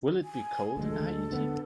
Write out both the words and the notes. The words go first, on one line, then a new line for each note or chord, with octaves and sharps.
Will it be cold in Haiti?
G#5
D2 G#3 A4
D3 B3